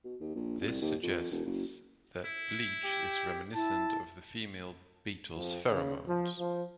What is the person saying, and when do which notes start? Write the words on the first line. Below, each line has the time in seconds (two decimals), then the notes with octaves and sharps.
This suggests that bleach is reminiscent of the female beetle's pheromones.
0.04 B2
0.20 D#2
0.35 A#1
0.61 C2
0.81 D#2
1.03 F2
1.31 E1
1.45 F#1
2.25 E4
2.84 G4
3.55 E4 A5
5.35 F2
5.69 C#3
6.06 F3
6.38 F3